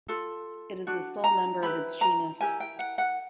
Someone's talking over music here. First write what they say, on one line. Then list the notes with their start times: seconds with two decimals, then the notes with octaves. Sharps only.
It is the sole member of its genus.
0.08 F4 A4
0.87 D4 F#4
1.24 A#5
1.62 E4 G4 B4 B5
2.01 A#5
2.41 E4 G4 A#4 G#5
2.60 G5
2.79 F#5
2.98 F#5